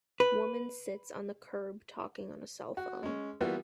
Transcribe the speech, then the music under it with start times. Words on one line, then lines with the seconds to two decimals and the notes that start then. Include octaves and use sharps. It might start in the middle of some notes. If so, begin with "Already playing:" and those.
Woman sits on the curb talking on a cellphone.
0.20 B4
2.77 F#4
3.03 G#3 C#4
3.41 E3 G3 A#3 B3 F4 F#4